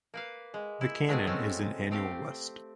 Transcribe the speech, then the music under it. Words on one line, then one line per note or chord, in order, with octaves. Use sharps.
The Canon is an annual list.
A#3 B4 F5
G#3
E4
G#3 A3 B3 C4 E4 G#4
G#3 A3 C4 C#4 F#4 A4
A3 C4 G4 F5